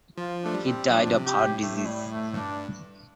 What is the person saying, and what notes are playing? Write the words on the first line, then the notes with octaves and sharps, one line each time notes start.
He died of heart disease.
F3 F4
A3 D4
G3
C4
F3 D4
A2
C3
G4
A2
A3
A3
G3
A3
G2 D4